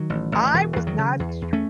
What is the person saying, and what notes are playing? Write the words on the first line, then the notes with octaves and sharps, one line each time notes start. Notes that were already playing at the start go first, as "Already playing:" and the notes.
I was not stru
Already playing: D#3 F#3
A1
A1
E1 E3
E2
D#3 F#3
C#3
E2
E2
A3 C#4